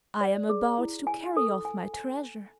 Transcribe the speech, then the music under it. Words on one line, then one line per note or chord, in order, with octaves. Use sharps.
I am about to carry off my treasure.
D5
G#4
E4
G#5
A4
G#5
G#5